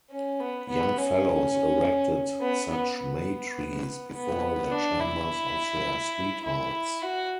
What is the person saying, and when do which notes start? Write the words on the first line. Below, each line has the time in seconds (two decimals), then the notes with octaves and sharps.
Young fellows erected such May-trees before the chambers of their sweethearts.
0.11 C#4
0.40 B3
0.69 B3
0.98 C#4
2.41 B3
2.70 B3
2.99 B3
4.14 B3
4.71 D4
5.00 E4
6.45 E4
7.02 F#4